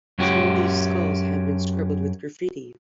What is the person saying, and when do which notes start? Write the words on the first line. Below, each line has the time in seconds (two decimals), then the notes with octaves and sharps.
Some of these skulls have been scribbled with graffiti.
0.19 F#2 C#4 F#4 G4